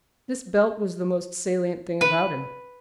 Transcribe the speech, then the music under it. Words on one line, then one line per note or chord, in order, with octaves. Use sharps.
This belt was the most salient thing about him.
B4